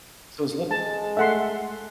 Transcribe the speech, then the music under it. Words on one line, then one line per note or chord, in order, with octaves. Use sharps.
So, it was lit
G#3 A5
A3 A4 E5 F#5 C6